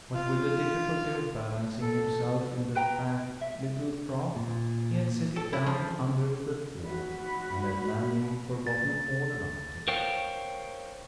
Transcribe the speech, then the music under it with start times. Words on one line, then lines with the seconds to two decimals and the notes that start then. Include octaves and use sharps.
But with the difficulty of balancing himself in the crank little craft he had set it down under the thwart, and at landing forgotten all about it.
0.14 F4
1.81 A4
2.75 B4 G5 A#5
3.41 E5
4.36 A#2
5.36 A4
5.53 E4
5.66 F3
6.87 F#4 B5
8.67 A6
9.88 A#4 C5 C#5 F5 G5